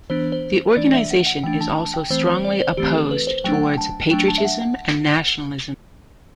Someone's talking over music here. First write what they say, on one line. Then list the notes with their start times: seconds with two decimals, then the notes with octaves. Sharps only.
The organisation is also strongly opposed towards patriotism and nationalism.
0.10 E3 B3 D4 C5
0.32 C5
0.77 E3 A3 D4 D5
0.94 E5
1.10 F#5
1.26 F#5
1.44 E3 A3 D4 G5
1.61 A5
1.77 A5
1.94 G5
2.10 E3 A3 C4 C5
2.27 C5
2.45 D5
2.60 C5
2.77 E3 A3 C4 G4
2.95 A4
3.11 B4
3.27 C5
3.44 F#3 A3 D4 G5
3.54 F#5
3.63 G5
3.78 A5
4.11 F#3 A3 D4 G5
4.28 A5
4.38 E5
4.45 F#5
4.62 F#5